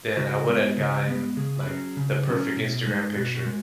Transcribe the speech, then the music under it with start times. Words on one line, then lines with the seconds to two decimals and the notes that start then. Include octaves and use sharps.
then I would have gotten, like, the perfect Instagram picture,
0.17 C#3 F#4
0.47 G#3 B3
0.77 C#3
1.07 G#3 B3
1.37 C#3 G#4
1.61 B4
1.66 F#3 C#4 G#4
1.97 C#3
2.26 F#3 C#4
2.57 B2
2.86 G#3 D#4
3.16 B2 F#4
3.36 F#4
3.46 G#3